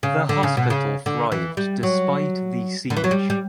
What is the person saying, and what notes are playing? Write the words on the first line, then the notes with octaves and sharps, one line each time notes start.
The hospital thrived despite the siege.
C#3
D3
C#3
B2
C#3
D3
E3
G3
F#3
D3
E3
F#3
G3
G3